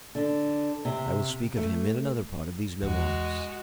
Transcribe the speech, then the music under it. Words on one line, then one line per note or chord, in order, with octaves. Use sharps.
I will speak of him in another part of these Memoirs.
D3
C3
A3
E2 G#3 F#4